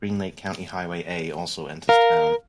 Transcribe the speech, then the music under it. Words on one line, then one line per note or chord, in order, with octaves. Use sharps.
Green Lake County Highway A also enters town.
A#4 F5